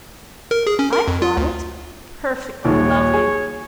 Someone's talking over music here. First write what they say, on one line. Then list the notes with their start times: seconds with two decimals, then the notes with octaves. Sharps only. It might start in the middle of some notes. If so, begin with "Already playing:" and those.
'I've got it! perfectly lovely!
0.51 A#4
0.67 G#4
0.79 C#4
0.93 A#4
1.08 F2
1.22 F4
1.37 D2
2.65 D#1 A#1 D#3 C#5
3.13 G#4